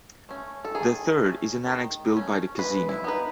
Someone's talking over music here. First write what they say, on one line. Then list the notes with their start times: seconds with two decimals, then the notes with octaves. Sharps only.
The third is an annex built by the casino.
0.29 A3 C#4
0.65 A4
0.75 D#3 G#4
1.21 A3 C#4
1.67 D#3
2.13 A3 C#4
2.59 G#3 B4
2.89 E4
3.04 B3 D#4 B4